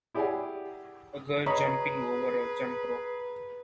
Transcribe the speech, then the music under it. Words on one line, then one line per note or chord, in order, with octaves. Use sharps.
A girl jumping over a jump rope.
E4 G4 G#4 D5 F#5 G#5
G#4 B4 C#5 D#5 A#5 B5